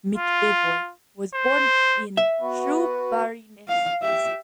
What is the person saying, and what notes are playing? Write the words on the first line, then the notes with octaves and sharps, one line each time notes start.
McEvoy was born in Shoeburyness, Essex.
F4
C5
E5
B3 F#4 B4
F5
G4 E5